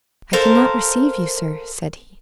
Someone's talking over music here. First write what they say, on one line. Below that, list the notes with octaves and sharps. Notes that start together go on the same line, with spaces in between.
"I cannot receive you, sir," said he.
A4 A#4 C5 F5